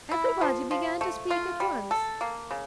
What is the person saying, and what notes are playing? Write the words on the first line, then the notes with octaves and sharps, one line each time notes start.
Everybody began to speak at once.
E4
F3
F3
A3
F4
G3
A4
A#3
C#3